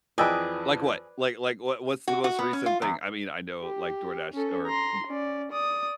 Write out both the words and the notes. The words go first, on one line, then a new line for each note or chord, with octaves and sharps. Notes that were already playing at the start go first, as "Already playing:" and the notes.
Like what? Like like, what what's the most recent thing? I mean, I know, like, DoorDash or, y
F2 E3 G#4 B4 D5 D#5 G5 E6
F#4
F#4
B3
C#4
F4
E2
G4
C#4 A4
A#5 C6
C#4 D5
D5 D#6